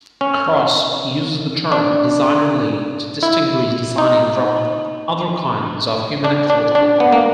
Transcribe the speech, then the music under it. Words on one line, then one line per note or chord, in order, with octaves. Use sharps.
Cross uses the term 'designerly' to distinguish designing from other kinds of human activity.
C#4
D4
E4
D#4
D4
D4
D4
B3
A#3